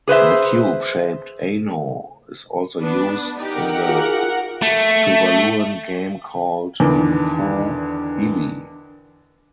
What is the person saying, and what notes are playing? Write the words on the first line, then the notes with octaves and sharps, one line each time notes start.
The cube shaped "ano" is also used in the Tuvaluan game called "poo ili".
G#4 B4 C5 E5
B3 D4 B4
D#4 G4 A#4 F#5
F4 F#4 G#4
A3
E2 D3 D#3 B4 D6